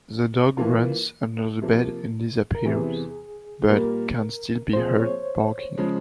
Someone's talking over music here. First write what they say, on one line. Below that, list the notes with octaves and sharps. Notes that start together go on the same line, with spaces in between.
The dog runs under the bed and disappears, but can still be heard barking.
E3 A#3 F4
C3 F3 A#3
A#4
E2 C3 E3 G#4
A#2 G3 A#3 A#4
A#2 F3 C4 F4 G#4 C5
C#5
C#3 F3 G#3